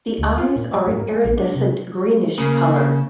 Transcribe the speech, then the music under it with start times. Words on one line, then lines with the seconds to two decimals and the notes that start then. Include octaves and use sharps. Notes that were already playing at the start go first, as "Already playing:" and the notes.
The eyes are an iridescent greenish colour.
0.18 D2
0.38 F4
0.56 A#2
0.74 F#3
0.87 G#2
1.00 A#3
1.12 G#3
1.24 A#1
1.38 D4
1.55 C3
2.38 C#3 A#3